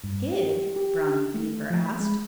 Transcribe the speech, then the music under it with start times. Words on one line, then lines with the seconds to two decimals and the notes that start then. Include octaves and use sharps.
"Pig?" Brownie Beaver asked.
0.04 G2
0.34 G4
0.76 G4
1.34 A3
1.70 F3
1.86 B5
2.00 G#3